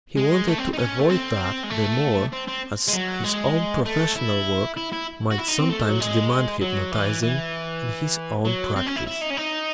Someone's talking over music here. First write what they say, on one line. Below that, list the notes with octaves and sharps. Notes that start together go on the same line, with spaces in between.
He wanted to avoid that the more as his own professional work might sometimes demand hypnotizing in his own practice.
G#3
A3
C4
D#4
C#4
A3
C4
G#3
A3
C4
C4
G#3
F#3
G#3
A3
E4
E4
E4
F#4
E4
D#4
C4
A3
F#3
G#3
F#3
E3
E3
F#3
C4
C#4
E4
E4
D#4
C#4
D#4